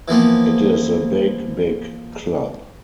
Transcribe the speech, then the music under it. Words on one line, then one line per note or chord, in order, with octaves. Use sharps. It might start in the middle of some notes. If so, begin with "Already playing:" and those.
It is a big, big club.
E3 F3 A#3 B3